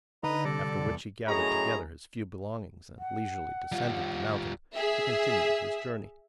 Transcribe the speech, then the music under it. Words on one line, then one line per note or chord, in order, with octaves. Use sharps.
After which he gathered together his few belongings, and leisurely descended the mountain to continue his journey.
D3 D#4 B4 D#5 A#5
C3 G3 A4 D5 A#6
E2
F#2 A2 D#4 G#4 C#5 A#5
F#5
G3 F4
G#4 E5